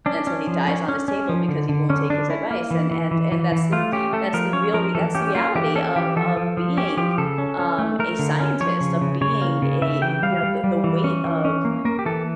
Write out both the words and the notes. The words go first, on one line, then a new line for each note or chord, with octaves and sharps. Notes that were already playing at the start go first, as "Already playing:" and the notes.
until dies on his table because he won't take his advice, and and and that's the that's the real rea that's the reality of of being, um, a scientist, of being a you know, the the weight of
C#4 D4
C#4
F3
C#4
C#4
C#4
F3
D3
D3
D3 C#4
D3 D4
C#4 E4
A#3
E3
E3
E3
E3
E3
A3 F4
C#4 G4
A3 A4
F3 A#4
C#4 C#5
F3 A#4
E3 A4
C#4 G4
A#3 F4
E3 G4
C#4 A4
E3 G4
F3 A4
F3
F3
C#4 G4
F3 G4
C#3 A4
C#4
C#4
A3
A3 A#4
D3
C#4
F3 C#5
C#3
C#3
C#3 C#5
A#3
C#3
C#3 E5
E3 G5
G3 F5
G3
G3
E3
C#4
E3
C#4
A#3
A#3 A#4
G4
E3 A4